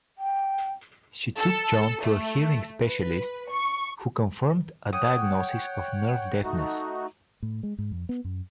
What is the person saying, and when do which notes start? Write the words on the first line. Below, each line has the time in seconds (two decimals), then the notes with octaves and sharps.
She took John to a hearing specialist, who confirmed a diagnosis of nerve deafness.
0.18 G5
1.37 A4
2.03 A3
2.84 B4
3.50 C#6
4.93 C#5 F#5 G5 D#6
6.43 A3 D#4 F#4
7.43 A2
7.63 G#3
7.78 G#2
7.91 F2
8.09 B3
8.24 F#2